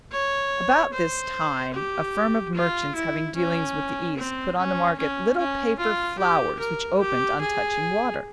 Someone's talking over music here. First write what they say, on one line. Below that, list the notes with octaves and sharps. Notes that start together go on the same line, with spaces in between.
About this time a firm of merchants having dealings with the East put on the market little paper flowers which opened on touching water.
C#5
C5
G4
F4
E4
C#4
C4
C#4
C#4
C#4
F4
G4
A#4
G4
G#4